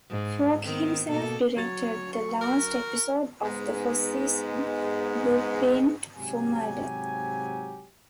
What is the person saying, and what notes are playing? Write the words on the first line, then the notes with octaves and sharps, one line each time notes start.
Falk himself directed the last episode of the first season, "Blueprint for Murder".
G#2
D#3 B3 C4
B2 A#3 A4
F#3 C#5 A6
C#6
F#4 A#4
G#2 G#3 B3
G#2 C3 F#3 G4 G#5